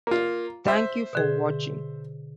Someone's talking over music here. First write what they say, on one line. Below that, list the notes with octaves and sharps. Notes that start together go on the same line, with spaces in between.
Thank you for watching.
A#3 F4
C5 E5
B2 D3 G#4